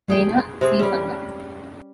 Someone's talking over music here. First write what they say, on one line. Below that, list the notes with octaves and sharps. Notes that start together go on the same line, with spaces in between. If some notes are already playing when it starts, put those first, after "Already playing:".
Jaina C. Sanga.
G#4 G5
C3 C4 G#4
G3 C#4